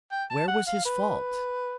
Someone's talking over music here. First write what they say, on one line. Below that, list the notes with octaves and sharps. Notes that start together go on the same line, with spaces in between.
Where was his fault?
G5
A5
F#5
F5
B4